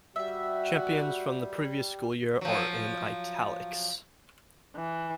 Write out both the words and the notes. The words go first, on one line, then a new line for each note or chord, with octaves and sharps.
Champions from the previous school year are in "italics".
G3 F#4 E5
F3 F#3
E3